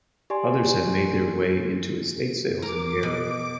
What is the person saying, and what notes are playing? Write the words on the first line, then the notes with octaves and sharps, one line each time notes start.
Others have made their way into estate sales in the area.
G4 D5 G#5 C6
A#4 D6
B2